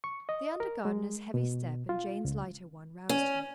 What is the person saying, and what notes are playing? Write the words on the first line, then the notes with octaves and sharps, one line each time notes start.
The under-gardener's heavy step and Jane's lighter one roused her.
C#6
D#5
A#4
G#3
B2
F4
C#2
C#4